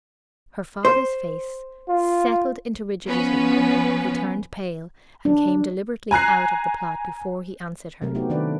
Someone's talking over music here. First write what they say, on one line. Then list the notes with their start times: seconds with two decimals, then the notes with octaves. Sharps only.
Her father's face settled into rigidity, he turned pale, and came deliberately out of the plot before he answered her.
0.85 C5
1.89 F4
3.06 F3 B3 C#4 B4
5.25 D4
6.11 G#5 A#5 F#6 C7
8.02 C3 F#3 A3 A#4
8.15 A3 B3 C4 D#4 F#4 G4
8.30 D#3 A3 D4 B4 D5